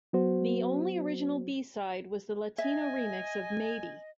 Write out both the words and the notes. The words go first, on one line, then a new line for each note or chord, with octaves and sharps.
The only original B-side was the Latino remix of "Maybe".
F#3 B3 F#4 C5
D#5 E5 G#5